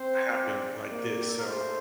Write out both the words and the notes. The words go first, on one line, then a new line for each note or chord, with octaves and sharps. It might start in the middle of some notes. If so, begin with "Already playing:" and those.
happen like this, so
Already playing: C4 C5
D5
A#3
G4
A4
A#4
A3 C5